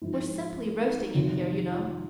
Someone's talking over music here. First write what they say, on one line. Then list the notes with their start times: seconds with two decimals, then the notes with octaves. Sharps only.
"We're simply roasting in here, you know."
0.01 G#2 F3 G#3 E4
1.14 F2 C3 D#3 F#3 F4
1.72 F4